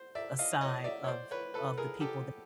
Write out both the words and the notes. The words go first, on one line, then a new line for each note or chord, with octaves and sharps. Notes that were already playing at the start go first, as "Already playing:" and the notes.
a side of of the people that
Already playing: C5
D5 E5
D#5 F5
C#5 D#5
D5 E5
C#5
C5 D5
B4 C#5
A4 B4
G#4 A#4
G4 A4